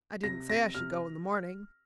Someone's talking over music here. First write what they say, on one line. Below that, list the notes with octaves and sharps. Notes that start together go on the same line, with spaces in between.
I didn't say I should go in the morning....
C3 A#6
C3 A#6
C3 F6